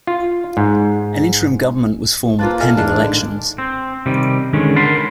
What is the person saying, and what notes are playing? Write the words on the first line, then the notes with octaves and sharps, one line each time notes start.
An interim government was formed pending elections.
F4
G#2
A#3 F4 B4 C5 A5 F#6 A6
E4 A4 D#5 G#5 A5 F6
E2 G#3 A#3 D4
A2 D3 D#4
C4
C3 D#3 G3
D3 D#3 G#3 C#4
A#4 F#5 A5 B5 C6